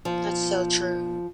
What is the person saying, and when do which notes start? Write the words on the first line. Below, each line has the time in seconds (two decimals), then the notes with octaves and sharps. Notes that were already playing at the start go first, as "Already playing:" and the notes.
That's so true.
0.05 F3